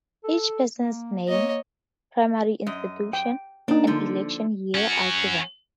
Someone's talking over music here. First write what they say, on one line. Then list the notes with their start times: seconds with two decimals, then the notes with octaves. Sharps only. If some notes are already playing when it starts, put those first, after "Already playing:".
Each person's name, primary institution, and election year are given.
0.24 A4
0.78 A#3
1.29 A#3 C#5 D#5
2.67 F#2 D#5
3.13 G5
3.68 A#3 D4 D#4
3.87 D3 F3
4.74 C#4 F#4